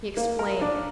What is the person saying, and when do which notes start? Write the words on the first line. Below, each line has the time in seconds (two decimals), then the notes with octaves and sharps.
He explained.
0.17 A#3
0.39 A#4
0.61 D4